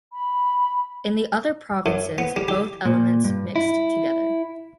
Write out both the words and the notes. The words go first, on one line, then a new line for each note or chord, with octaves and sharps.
In the other provinces both elements mixed together.
B5
F#2
B3
G3
G4
A#2
G2
E4